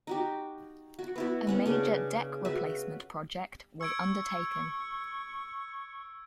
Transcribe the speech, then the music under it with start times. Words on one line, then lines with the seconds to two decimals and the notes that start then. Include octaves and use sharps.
A major deck replacement project was undertaken.
0.07 D#4 F#4 G4
0.99 F#4
1.16 B3 E4 F#4
1.47 B3 C#4 F#5
1.66 C#3 D4 G#5
2.45 F#4 B4 E5
3.81 C#6 E6 G#6 D7